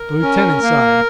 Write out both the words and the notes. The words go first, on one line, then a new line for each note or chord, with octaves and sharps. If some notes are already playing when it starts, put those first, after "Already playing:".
The Lieutenant sighed.
Already playing: A#4
C#4
A#3